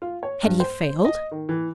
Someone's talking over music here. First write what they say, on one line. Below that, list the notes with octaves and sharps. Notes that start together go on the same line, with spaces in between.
Had he failed?
F4
C#5
G2
C5
D#5
D#3
E3